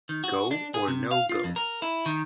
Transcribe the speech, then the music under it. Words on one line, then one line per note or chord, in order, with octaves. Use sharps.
Go Or No Go?
D#3
F#4
D4
G#4
C3
F5
F4
F2
A#4
E4
D#3